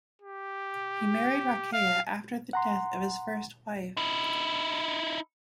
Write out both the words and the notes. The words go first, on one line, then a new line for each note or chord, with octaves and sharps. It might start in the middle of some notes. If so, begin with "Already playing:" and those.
He married Rokeya after the death of his first wife.
G4
F5
F#5 A#5 C6
D#4 E4